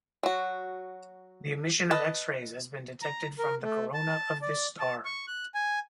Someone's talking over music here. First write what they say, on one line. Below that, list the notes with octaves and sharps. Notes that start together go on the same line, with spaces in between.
The emission of X-rays has been detected from the corona of this star.
F#3 F#4
B4 D#5 A5
A#5
A#4
A3
A5
D5
A5
C#6
F#6
G#5